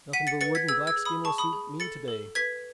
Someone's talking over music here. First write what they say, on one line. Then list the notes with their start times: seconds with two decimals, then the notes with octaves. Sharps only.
"Nothing but wood and black skin will suit me to-day!"
0.13 F#5 B6 D#7
0.27 A6 C#7
0.41 B4 A6 C#7
0.55 G#6 B6
0.68 G#4 E6 G#6
0.87 E6 G#6
0.96 G#4
1.05 B5 D#6
1.24 G#4 A5 C#6
1.38 B5 D#6
1.53 G#4
1.80 A4 A6 C#7
2.08 A4
2.35 B4 G#6 B6